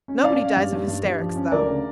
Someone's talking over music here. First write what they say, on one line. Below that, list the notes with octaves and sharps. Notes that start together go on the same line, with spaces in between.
Nobody dies of hysterics, though.
C#4
C#4 D5 F5
C#4
G2
G2
G2
G2
F3
C#4
D2 A#4 D5
C#3